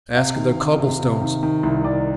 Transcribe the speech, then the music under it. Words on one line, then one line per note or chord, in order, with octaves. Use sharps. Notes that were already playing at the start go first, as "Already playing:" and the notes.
Ask the cobble stones.
C3 F5
D#3
D#3
C3
C3
D#3
D#3
C2
D#3 D5